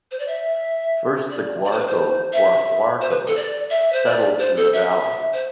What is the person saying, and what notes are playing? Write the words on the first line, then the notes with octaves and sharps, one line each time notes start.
First, the Guarco, or Huarco, settled in the valley.
C5
D5
E5
D5
D5
C5
B4
C5
E5
C5
B4
A4
D5
E5
C5
D5
C5
A4
E5
C5